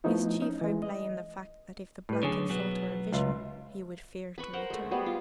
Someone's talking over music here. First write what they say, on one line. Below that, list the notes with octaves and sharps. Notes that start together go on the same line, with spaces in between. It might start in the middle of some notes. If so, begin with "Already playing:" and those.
His chief hope lay in the fact that if the Black had thought her a vision, he would fear to return.
F3 A3 B3 D#4 E4
C#4 D#4
E3 G#3
D#5
A2 B4
F#2 D3 G#4 C#5
B2 F#3 B3
C#2 F4 E5
B4 B5 C#6
A#4 C5 F#5
G#3 A3
G3 B3 G#4 C5
F4